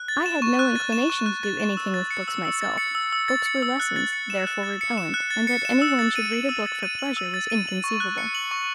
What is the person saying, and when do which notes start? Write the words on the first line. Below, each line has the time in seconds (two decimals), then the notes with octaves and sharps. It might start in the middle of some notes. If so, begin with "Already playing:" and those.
I had no inclination to do anything with books myself: books were lessons, therefore repellent, and that any one should read a book for pleasure was inconceivable.
Already playing: F#6
0.08 A6
0.26 E7
0.42 C#6
0.59 F#6
0.76 A6
0.92 E7
1.10 C#6
1.26 F#6
1.43 A6
1.60 E7
1.77 E6
1.94 A6
2.11 C#7
2.28 E6
2.45 E6
2.62 A6
2.78 C#7
2.95 E6
3.12 E6
3.28 A6
3.46 C#7
3.62 E6
3.80 F#6
3.96 A6
4.13 C#7
4.30 E7
4.47 F#6
4.63 A6
4.81 C#7
4.98 E7
5.14 F#6
5.30 A6
5.47 C#7
5.65 E7
5.82 E6
5.99 A6
6.16 D#7
6.32 F#7
6.49 E6
6.66 A6
6.83 D#7
6.99 F#7
7.17 E6
7.34 A6
7.50 D#7
7.67 F#7
7.84 C#6
8.00 F#6
8.18 C#7
8.35 F#7
8.51 C#6